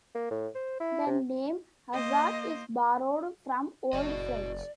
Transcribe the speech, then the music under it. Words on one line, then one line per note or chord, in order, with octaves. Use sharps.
The name "hazard" is borrowed from Old French.
A#3
A2
C5
E4
C3
A#3 C5 D#5
F#1 F#4 D5 D#5